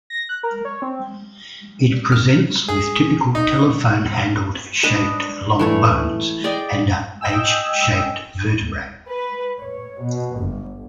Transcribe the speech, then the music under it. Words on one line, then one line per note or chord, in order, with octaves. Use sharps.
It presents with typical telephone handled shaped long bones and a H-shaped vertebrae.
A#6
F#6
A#4
C#5
C4
F6
G#4
D#4
D4 B4 D#5 A5
E3 A3 C#5
G#4 D5 D#5 G5
D#5 G5 G#5 E6
B4
C#5
B2
G1